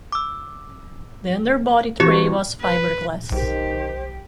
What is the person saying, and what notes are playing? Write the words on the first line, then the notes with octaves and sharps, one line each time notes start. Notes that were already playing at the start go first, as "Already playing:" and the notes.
The underbody tray was fiberglass.
D6 E6
E3 C4 E4 F#4 G4 C#5
B4
B1 D#3 G4 C5